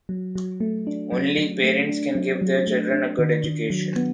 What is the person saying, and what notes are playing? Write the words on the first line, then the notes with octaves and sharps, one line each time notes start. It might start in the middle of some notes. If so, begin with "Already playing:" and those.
Only parents can give their children a good education.
F#3
F#3
A3
D4
F#3
F#3
A3
D4
F#3
F#3
A3
D4
D#3
D#3
F#3
B3